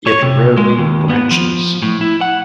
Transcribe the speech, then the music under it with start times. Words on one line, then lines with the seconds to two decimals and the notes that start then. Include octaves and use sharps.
It rarely branches.
0.07 C#5
0.22 C3
0.57 G#3
0.78 D#2
1.09 B3
1.31 F3
1.82 A2
2.01 E4
2.21 F#5